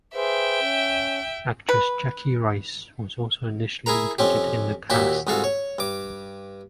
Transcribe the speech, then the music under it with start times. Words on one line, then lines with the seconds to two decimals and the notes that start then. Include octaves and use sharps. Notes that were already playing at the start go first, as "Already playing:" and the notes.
Actress Jackie Rice was also initially included in the cast.
0.15 G#4 B4 C5 E5 G5
0.61 C#4
1.69 B4
3.86 E4 G#4 A#4 A#5
4.19 F2 C4 C#4 G4
4.90 D#2 A#2 F#4 G4 E5
5.27 C2 G#2 F#4 A4 F5
5.44 C#5
5.79 G2 D6